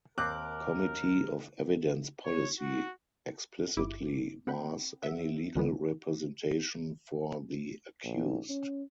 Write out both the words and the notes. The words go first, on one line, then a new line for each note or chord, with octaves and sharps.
Committee of Evidence policy explicitly bars any legal representation for the accused.
D#2 C4 A#4 D6 F#6
C#5
F#4
G1 E4 D6
C4 F#5 G5 B5
E5 F#5
C#2 D3 E3 G#3 B3
A#1
C#4